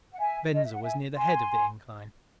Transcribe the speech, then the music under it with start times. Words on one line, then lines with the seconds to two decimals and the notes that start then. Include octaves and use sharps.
Venza was near the head of the incline.
0.13 F#5
0.19 E5 G#5
0.55 D#5
0.64 E5
0.74 F#5
0.83 E5 G#5
1.16 G#5 C6